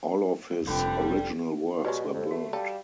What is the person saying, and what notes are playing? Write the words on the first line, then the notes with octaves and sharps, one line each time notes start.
All of his original works were burned.
F1 D3 G3 G4 B4
B2 F#3 G#3 G4 B4 D5
F2 A4
A3 F#4
G3 A4 F5 G5 A5